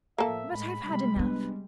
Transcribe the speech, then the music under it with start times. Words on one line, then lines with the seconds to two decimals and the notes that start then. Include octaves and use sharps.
But I've had enough.
0.18 A2 F3 A#3 A4 E5
0.52 A2 G#3 B5
0.84 C3 G3 G#3
1.16 B3 D4 B4